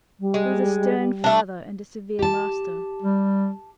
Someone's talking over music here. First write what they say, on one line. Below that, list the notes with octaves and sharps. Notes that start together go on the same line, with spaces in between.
He was a stern father and a severe master.
G3
G#3
A3 D4
G4 A5
G3